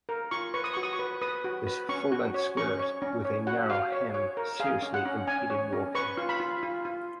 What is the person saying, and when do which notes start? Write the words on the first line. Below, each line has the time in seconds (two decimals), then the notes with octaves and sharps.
This full-length skirt with a narrow hem seriously impeded walking.
0.09 A#4
0.31 F4 C#6
0.54 B4 C#6
0.64 D#6
0.73 F#4 C#6
0.83 D#6
0.93 C#6
0.99 B4
1.22 B4 D#6
1.44 F#4
1.67 B4
1.89 C#4 C#6
2.12 F#4
2.34 C#5
2.57 C#4 C#6
2.79 C#5
3.02 C#4
3.25 C#5
3.47 F#4 F#5
3.70 F#4 F5
3.92 C#5
4.14 C#5
4.37 A#4
4.60 G#4 F5
4.82 C#4
4.94 F#5
5.05 C#4
5.27 C#4 G#5
5.50 C#5
5.73 C#4
5.95 B4 C#6
6.17 F4
6.29 B5
6.40 F4
6.63 F4
6.85 F4